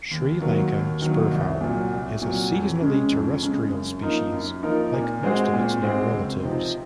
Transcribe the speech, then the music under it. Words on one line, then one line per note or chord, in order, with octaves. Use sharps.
Sri Lanka spurfowl is a seasonally terrestrial species, like most of its near relatives.
D#2
D#3 F#3 A#3
D#2
D#3 F#3 A#3
C2
A#2 F#3
C2
A#2 F#3
F2
C#3 G#3 C#4
F2
C#3 G#3 C#4
F#2
F3 A#3 D#4 A#4
F#2
F3 A#3 D#4 A#4
A#2
G#3 C4 F#4 C5
A#2
G#3 C4 F#4 C5
C#2
C3 F3 C4 D#4